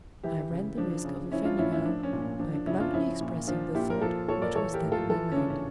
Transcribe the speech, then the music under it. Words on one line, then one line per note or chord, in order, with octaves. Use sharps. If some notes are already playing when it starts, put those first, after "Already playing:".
I ran the risk of offending her, by bluntly expressing the thought which was then in my mind.
E3 E4 G4
C#3
F3 D4
C#3
F3 C#4 E4
D4 F4
A2 C#4 E4
C#4 E4
F3 D4
C#4
A#2
C#4
F3 D4
D4
C#3 C#4 E4
D4 F4
F3 C#4 E4
A#2
F3 D4 F4
A#2 E4 G4
A#4
F3 F4 A4
A#2 A4 C#5
A#4 D5
E3 A4 C#5
G4 A#4
A2
F4 A4
E3 F4 A4
C#4
C#3 D4
C#4